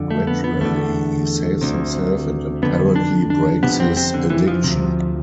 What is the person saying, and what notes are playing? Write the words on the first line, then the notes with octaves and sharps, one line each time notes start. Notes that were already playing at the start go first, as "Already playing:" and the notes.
Gradually, he saves himself and apparently breaks his addiction.
Already playing: F2 D3
A3
B3
B3
E2 D3 A3
D2 C3
F2 D3 B3
D4
D4
F2 C3 B3
C4
C4
D3
E3
F3
D2 C3